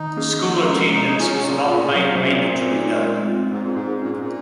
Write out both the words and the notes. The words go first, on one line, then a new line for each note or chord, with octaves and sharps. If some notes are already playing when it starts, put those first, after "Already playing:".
School attendance was not made mandatory, though.
Already playing: D#3 D#4
A#3 C#4 G#4
F3
G#3 C#4
C#4 D#4
D#4
C#4 F4 G#4
F#3
A#2 C#4
A#2 F4 G#4
A#2
C3 F#3
G#2
A#2 C#4 F#4 C5
C4
D#4 A#4
G#3
C4 F4
G#2 C4
A#2
G#2 D#4 G#4
A#2 C#4
G#2
A#2